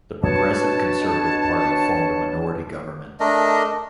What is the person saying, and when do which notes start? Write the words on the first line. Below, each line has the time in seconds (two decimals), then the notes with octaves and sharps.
The Progressive Conservative Party formed a minority government.
0.23 B2 D4 C#5 A5
3.20 A3 D4 A#4 D#5